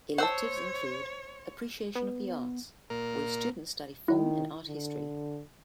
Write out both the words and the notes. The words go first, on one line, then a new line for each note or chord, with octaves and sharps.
Electives include 'Appreciation of the Arts', where students study film and art history.
C5 C#5 F#5 A5 E6
B3
A#2 A#4
D#3 E4
D3